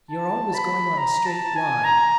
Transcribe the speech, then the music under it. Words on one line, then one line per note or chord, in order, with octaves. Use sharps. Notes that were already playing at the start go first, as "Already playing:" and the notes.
"You're always going on a straight line."
A5
B5
A#5
A5
G#5
A#5